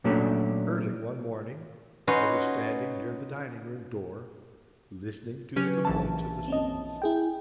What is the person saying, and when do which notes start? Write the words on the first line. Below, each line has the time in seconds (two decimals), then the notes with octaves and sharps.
Early one morning I was standing near the dining-room door listening to the complaints of the students.
0.04 A#2 F#3 A3 C#4 D4
2.07 C#4 D#4 F#4 B4 C6
5.56 C#3 F#3 C#4 G4 B4
5.85 A#1 E3 A5
6.48 C4 C#4 D#5
7.02 E4 G#4 G5